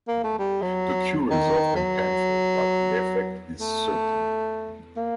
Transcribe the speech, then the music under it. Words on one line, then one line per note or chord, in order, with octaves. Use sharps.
The cure is often painful, but the effect is certain.
A#3
A3
G3
F#3
D#3
F#3
A3
A#3